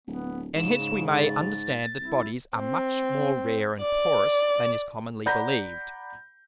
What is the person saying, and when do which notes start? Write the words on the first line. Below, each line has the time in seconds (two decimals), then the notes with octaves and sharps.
And hence we may understand that Bodies are much more rare and porous than is commonly believed.
0.08 D1 B3
0.55 G#2 C#3 E7
0.80 G#2
1.18 A6
2.00 C2 E4
2.58 C4
3.81 D5
5.26 D5 F#5 A#5 B5 G6 A#6